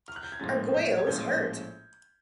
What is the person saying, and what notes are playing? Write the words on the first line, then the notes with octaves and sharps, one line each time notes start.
Arguello is hurt!!
F6
F#6
G6
G#6
A#1 A2 F3 G#3 C#4 A6
G6
G#6
A#1 A2 F3 G#3 C#4 G6